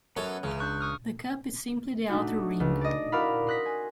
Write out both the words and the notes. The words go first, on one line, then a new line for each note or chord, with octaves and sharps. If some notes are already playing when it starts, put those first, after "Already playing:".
The cup is simply the outer ring.
F#2 B3 C#4 A4 C#5
C#2 C#3 E3 C#4
D4 C#6 F#6 G6
C#6 D#6 F6
A3 D4 D#4 F#4
C#2
D5 D#5
E4 F#4 A#4 D5 F5 B5
C6 D#6 F#6 A#6 B6
G#5